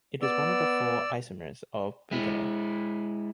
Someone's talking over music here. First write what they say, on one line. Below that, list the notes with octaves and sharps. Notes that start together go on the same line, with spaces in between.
It is one of the four isomers of butanol.
B3 D5 E6
G#3 E4